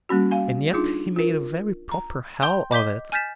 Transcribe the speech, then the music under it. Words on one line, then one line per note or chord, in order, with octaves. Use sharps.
And yet he made a very proper hell of it.
G3 A#3 C#4 F#4
F5 G#5
D4 D#4 F4 G#4
F4 A#4
A#5
G5 C6 G6 G7
D#5 D6 G6 B6 G7
G#5 F6 G6 A6 B6 E7